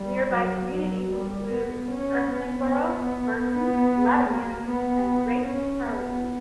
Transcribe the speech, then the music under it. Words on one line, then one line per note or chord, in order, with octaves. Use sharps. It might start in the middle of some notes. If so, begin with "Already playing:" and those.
Nearby communities include Irthlingborough, Burton Latimer and Great Harrowden.
Already playing: G3
F#3
F#3
G3
B3
C#4
B3
B3
B3
A#3
B3
C#4
B3